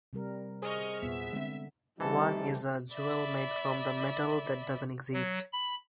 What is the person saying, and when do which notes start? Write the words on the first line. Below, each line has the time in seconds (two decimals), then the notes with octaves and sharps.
One is a jewel made from "the metal that doesn't exist".
0.13 C3 G3 A#4
0.62 G#4 C5 D#5 C#6 F6
1.02 E2 A#2 B3 E5
1.33 D3 G#3 A#3 C4
2.00 C3 E3 G3 A3 D#4 A4
2.92 D5 E5 B5
5.13 F#3
5.52 B5